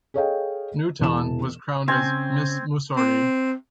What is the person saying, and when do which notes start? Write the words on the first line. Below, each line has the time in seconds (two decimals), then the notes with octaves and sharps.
Nutan was crowned as Miss Mussorie.
0.14 G#4 A4 C#5 D#5 F5 G5
0.99 E1 B2 E3 A5 E7
1.88 C#3 C4 G#5
2.96 C4